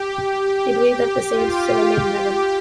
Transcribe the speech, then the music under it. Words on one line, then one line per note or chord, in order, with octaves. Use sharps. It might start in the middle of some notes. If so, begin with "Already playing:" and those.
They believe that the saints still remain in Heaven.
Already playing: G4
G4
F4
G4
G4